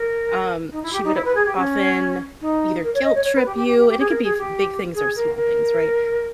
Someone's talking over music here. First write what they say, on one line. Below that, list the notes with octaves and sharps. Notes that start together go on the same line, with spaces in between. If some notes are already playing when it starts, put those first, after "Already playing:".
Um, she would often either guilt-trip you, and it could be f big things or small things, right?
Already playing: A#4
D#4
E4
G4
D#4
E4
B4
G#4
G4
C#4
D#4
A#4
C#5
D#5
C#5
C#5
B4
G4
G4
G4
G4
G4
G#4
A#4
G#4
G4
G#4
A#4
A#4